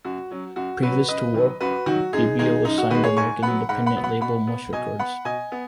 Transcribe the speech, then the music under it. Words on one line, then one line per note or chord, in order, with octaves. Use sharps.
Previous to Warp, Bibio was signed to American independent label Mush Records.
F#2 F#4
F#3 C#4
F#2 F#4
F#3 C#4 F#4 B4
F#2 B4 D#5
D#3 F#3
F#2 F#4 B4
D#3 F#3 F#4
F#2 D#4 G#4
D#3 G#3 D#4 G#4
F#2 D#4
F#4
D#3 G#3 F#4 B4
G#4 C#5
G#2 G#5 C#6
F#3 B3 F#5 B5
G#2 F#5 B5
F#5 B5
F#3 B3
F#5 B5
B2 F#5 B5
B3
B2 D#5 G#5
B3 F#5 B5
B2 D#5 G#5
B3